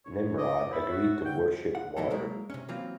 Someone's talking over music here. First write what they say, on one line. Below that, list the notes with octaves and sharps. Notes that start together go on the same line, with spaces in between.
Nimrod agreed to worship water.
C#5
D5 D#5
C#5 E5 B5 A6
F#4
D3 F#5 G5
F#5
A2 E3 F#3 A#3 E4 A4
F#3 G#3 A#3 E4 A#4
C3 C#4
E3 F#3 A#3 C4 F4